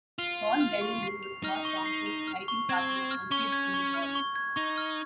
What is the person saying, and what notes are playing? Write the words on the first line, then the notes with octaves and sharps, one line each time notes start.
Paul Bellini was Scott Thompson's writing partner on Kids in the Hall.
F4 C7
F7
F6
C#6
C7
F7
D#4 F6
C#6
C7
F7
F6
C#6
C4 G#6
C#6
F6
C#4 C#6
G#6
C#6
F6
C#6
G#6
D#4 C#6
F6